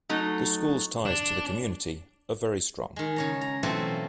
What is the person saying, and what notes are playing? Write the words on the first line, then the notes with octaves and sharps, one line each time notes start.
The school's ties to the community are very strong.
F#3 A3 D#4
D4
D#3 G#3
C#3 C#5 A#5
A#5
B2 E3 F#3 A3 C4 F4